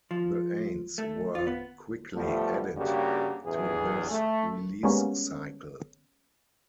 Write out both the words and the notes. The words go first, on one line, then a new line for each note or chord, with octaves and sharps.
The Aints were quickly added to this release cycle.
F3
A3
F4
B3
B2 F3 G3 A3
G2 C#3 A#3 F#4 G4
A1 E2 G2 E3 G#4
A3
G3 G#3 A#3 B3 C#4